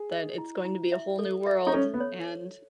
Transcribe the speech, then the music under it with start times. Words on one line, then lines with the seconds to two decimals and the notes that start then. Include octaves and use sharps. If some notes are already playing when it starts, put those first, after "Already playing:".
that it's going to be a whole new world, and,
Already playing: G#4
0.11 D#5
0.38 E4
0.65 E4
0.92 E5
1.19 A4
1.46 E5
1.67 D#4
1.73 C#4 A4
1.94 B3
2.00 C#5